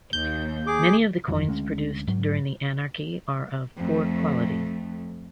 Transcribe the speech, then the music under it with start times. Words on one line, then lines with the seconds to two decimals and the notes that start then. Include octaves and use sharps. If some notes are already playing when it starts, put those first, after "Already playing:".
Many of the coins produced during the Anarchy are of poor quality.
0.13 D#2 G6
0.67 G#4 D6
1.28 G1 F2 E3 F#3
1.47 D2 G#3 C#4
2.08 G#2 F#3
3.77 F2 A3